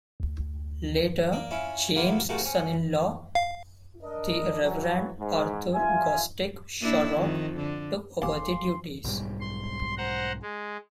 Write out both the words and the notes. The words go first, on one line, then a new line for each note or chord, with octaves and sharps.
Later James' son-in-law the Reverend Arthur Gostick Shorrock took over the duties.
D2
A#3 D5
C#4 E4 F4
C3 F#3 A#3 E4 F4
C2 C#3 A3 F4 F#4 A#4
C4 C#4
F5
D4 A#4 D#5
E3 F#3
G#2
G2 F4 E5 G#5
A#3 D4 E4
F2 D#3
D3
D#1 D#2 F5 G#5 C6 D6
B1 G#2 G3
C6
C5 F#5 A#5
G#3